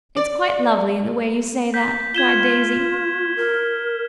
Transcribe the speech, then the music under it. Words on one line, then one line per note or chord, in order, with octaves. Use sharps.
"It's quite lovely, the way you say that!" cried Daisy.
D5
G6 B6
F4 G#6 E7 G7
A#4